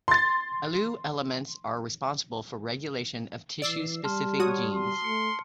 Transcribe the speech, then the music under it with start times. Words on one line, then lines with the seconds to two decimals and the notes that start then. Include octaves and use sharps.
"Alu" elements are responsible for regulation of tissue-specific genes.
0.08 C6 A6
3.62 E3 D5 E6 C7
4.04 G3 A5 C6 F6
4.39 F#4 C#5 D#6
4.74 C6
5.04 A3 C#7